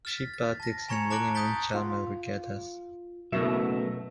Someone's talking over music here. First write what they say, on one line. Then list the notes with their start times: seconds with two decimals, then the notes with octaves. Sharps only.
She partakes in many windjammer regattas.
0.05 F6 A6 B6
0.34 A6
0.60 A5 A#6
0.88 G#5 A#5 C#6 G#6 C#7 F7
1.10 A5 A#5 D6 F#6 D7 F#7
1.35 D#6 G6 A6 B6 G7
1.74 F4
3.32 F#1 B2 F#3 A3 A#4 E5